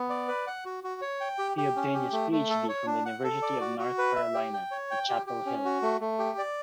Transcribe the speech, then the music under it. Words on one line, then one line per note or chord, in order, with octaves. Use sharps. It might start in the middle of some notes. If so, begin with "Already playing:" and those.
He obtained his PhD from the University of North Carolina at Chapel Hill.
Already playing: B3
D5
B4
F#5
F#4
F#4
C#5
G5
G4
G4
C#4
G4
A3
A3
A4
C#5
D4
F#5
A4
D5
F#4
F#4
B4
E5
G4
G5
C#5
G5
G4
G4
C#4
F#4
A3
A3
G4
D5